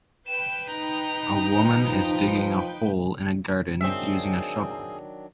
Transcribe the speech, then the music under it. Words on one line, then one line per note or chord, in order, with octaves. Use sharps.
A woman is digging a hole in a garden, using a shovel.
B4 G5 G6 E7
D#4 A#5
F3
D#3 F#3 C4 D4 G#4 E5